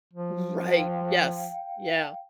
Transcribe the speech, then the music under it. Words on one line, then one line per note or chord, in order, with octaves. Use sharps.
Right, yes, yeah.
F3
F5 G5